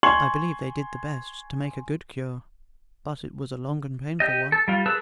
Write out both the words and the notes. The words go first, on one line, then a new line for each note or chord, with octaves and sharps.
I believe they did the best to make a good cure, but it was a long and painful one.
G#5 C6 C#6 G#6 F#7
G4 D#5
A4
G3 F4
G#4 A#4 B4 A5 E6